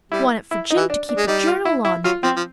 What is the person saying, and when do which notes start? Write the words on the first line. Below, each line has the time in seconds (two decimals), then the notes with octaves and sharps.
"Want it for Jim to keep a journal on."
0.12 G3 E4
0.51 E4
0.70 D#4
0.76 E3
0.90 D4
1.09 D4
1.17 G#3
1.27 G3 D#4
1.47 F4
1.65 E4
1.85 E4
2.04 F#3 F4
2.23 F3 C4
2.36 F3